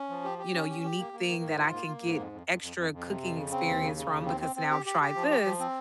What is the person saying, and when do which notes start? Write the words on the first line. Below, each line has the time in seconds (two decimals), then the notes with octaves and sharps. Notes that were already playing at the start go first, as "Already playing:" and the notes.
you know, unique thing that I can get extra cooking experience from, because now I've tried this,
Already playing: C#4
0.09 F3
0.24 G4
0.38 G4
0.54 C#4
0.69 G4
0.84 G4
0.98 A#3
1.13 A#3
1.28 D#3
1.43 G#2
1.57 F4
1.73 A#3
1.87 A#3
2.02 G#2
2.17 F2
2.32 F2
2.47 F2
2.62 F2
2.77 F2
2.92 F2
3.07 C3
3.21 F2
3.36 C#3
3.51 C4
3.67 D#2
3.81 C#3
3.96 C#3
4.11 D#2
4.26 C4
4.41 C4
4.56 C4
4.71 G4
4.86 G4
5.01 G4
5.15 F3
5.30 G4
5.45 F3
5.60 C4